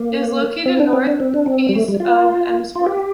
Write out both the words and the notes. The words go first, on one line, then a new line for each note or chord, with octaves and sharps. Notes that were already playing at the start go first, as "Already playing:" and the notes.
It is located north east of Emsworth.
Already playing: A#3
C4
D4
C4
D4
C4
D4
C4
G3
A3
G3
F4
F4
G4